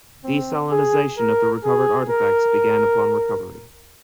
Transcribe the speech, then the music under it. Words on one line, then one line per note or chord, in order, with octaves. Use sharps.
Desalinization of the recovered artifacts began upon recovery.
C4
G#4
A#4
G#4
A#4